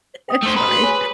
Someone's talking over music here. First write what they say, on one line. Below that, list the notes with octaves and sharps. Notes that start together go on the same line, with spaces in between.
that's fine,
G5 D#6
A3 C5
B4 A#5 C6 D#6
F#4 C6
G#4 C#5 G#5